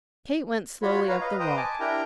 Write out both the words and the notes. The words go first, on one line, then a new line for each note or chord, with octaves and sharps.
Kate went slowly up the walk.
F4 F#4 C#5 B5
B4 C#5 F5 A#5
B4 D#5 F5
B4 C5 D#5 G5 A#5 D#6
G#5 A5 D6
D4 E4 G4 A#4 G5 A#5